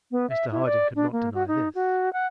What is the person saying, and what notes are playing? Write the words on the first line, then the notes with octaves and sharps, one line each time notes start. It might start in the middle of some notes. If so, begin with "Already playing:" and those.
Mr Harding could not deny this.
B3
E5
E4
D5
D4
A#3
F#4
D#4
F#4
F#5